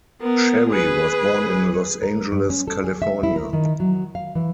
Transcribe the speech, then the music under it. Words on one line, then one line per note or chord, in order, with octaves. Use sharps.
Sherry was born in Los Angeles, California.
B3 A#4
G#4 B4
A#4
G2
C#4
A4
G#4
E5
E4
A#4
D#3
F#3
F5
E3